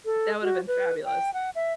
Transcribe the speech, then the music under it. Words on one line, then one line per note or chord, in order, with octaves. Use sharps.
That would have been fabulous.
A4
F#4
B4
G5
F#5
E5